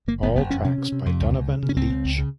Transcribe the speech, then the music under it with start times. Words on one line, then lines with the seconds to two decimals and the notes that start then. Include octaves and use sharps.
All tracks by Donovan Leitch.
0.08 F#1 A#3
0.22 F#1 B3
0.36 F#1 B3
0.50 F2 C#4
0.64 C3 C#4
0.78 C3
0.92 C3
1.06 F2
1.21 C#2
1.34 C#2
1.48 C#3
1.63 C#3
1.69 C#4
1.76 C#2 C4
1.90 C#2
2.05 C#2
2.18 C#3